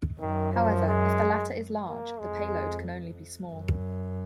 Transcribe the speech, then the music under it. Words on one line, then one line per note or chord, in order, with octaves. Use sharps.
However, if the latter is large, the payload can only be small.
F#2 D#3
F3
G#3
A#3
F2 G#3
F#2